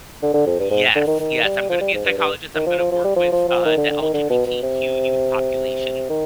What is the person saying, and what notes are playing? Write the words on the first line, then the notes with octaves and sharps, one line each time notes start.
Yes, yes, I'm gonna be a psychologist. I'm gonna work with the LGBTQ youth population,
D3
D3
F2
G2
G#2
D3
D#3
D#3
G3
F3
G3
G#2
G2
G2
D#3
F3
F3
F3
G3
F3
F3
F3
D#3
D3
D3
D#3
D3
B2
B2
C3
D#3